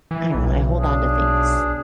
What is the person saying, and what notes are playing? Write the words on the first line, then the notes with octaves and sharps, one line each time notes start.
I don't know. I hold on to things.
E3
B1
D4 G#4